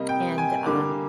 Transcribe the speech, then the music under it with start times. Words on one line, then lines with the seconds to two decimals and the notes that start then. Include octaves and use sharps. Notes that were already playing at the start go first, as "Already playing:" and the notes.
and, um
Already playing: C3 G3 A#3 D#5
0.09 G5
0.38 G#5
0.66 D3 G3 A#3 D6